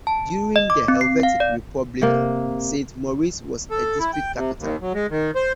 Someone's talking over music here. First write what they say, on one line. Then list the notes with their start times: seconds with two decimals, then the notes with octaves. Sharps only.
During the Helvetic Republic Saint-Maurice was a District capital.
0.07 A5
0.56 D#5
0.70 D6
0.88 C4
1.01 C7
1.23 F5
1.40 D5
2.01 C3 A#3
3.71 A4
3.99 E4
4.13 G5
4.36 C3
4.59 D#2
4.81 F#3
4.94 G#3
5.11 D#3
5.35 C5